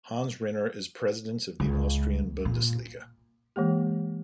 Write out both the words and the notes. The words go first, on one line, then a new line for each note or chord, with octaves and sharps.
Hans Rinner is president of the Austrian Bundesliga.
C#2
A#2
E3 G#3 A#3 G4